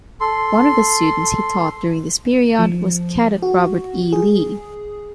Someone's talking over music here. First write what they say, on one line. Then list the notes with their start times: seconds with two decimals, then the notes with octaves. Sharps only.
One of the students he taught during this period was Cadet Robert E. Lee.
0.21 A4 C6
2.59 F3
3.42 F#4
4.13 G#4